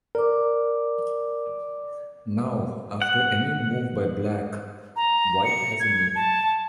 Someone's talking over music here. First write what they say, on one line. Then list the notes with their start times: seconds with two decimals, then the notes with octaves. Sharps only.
Now, after any move by Black, White has a mate.
0.15 A#4 D5 D6
3.02 F#5
4.96 A#5
5.45 C#7
5.80 G#6
6.15 A5